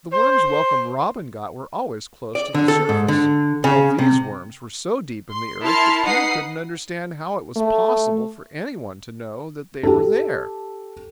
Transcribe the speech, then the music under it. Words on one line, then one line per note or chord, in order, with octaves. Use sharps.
But the worms Welcome Robin got were always close to the surface, while these worms were so deep in the earth that Peter couldn't understand how it was possible for any one to know that they were there.
C5
D5
D3
A4
G#2
D3
C#3
C3
C6
E4 A#4 A5 C6 F6
D#4 B4 F#5 D#6 C7
A3
G4 A4